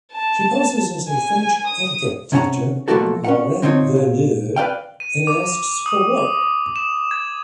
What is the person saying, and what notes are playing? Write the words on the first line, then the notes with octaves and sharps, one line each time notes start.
She poses as a French etiquette teacher, Laurette Voleur, and asks for work.
A5
G#5
D#6
C3 C#4 F#5 A5 A#5
B1 F3 A3 A#3 F#4 A4
C#4 F#5
D3 C4 D#4 F4 C#5
A#2
B4 D5 F5 G5
D#7
D6
D#6
D6
E7
G#6